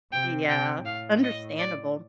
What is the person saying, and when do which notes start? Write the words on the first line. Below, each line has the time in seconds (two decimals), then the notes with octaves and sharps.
Yeah, understandable.
0.12 C3 G5
0.49 C3 G5
0.86 A2 F5
1.23 D#5
1.59 D5